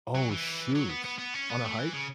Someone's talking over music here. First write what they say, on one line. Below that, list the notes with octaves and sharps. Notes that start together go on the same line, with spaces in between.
Oh, shoot. On a hike?
F#3
E3
F#3
B3
B3
B3
C#4
B3
A3
E3
C#3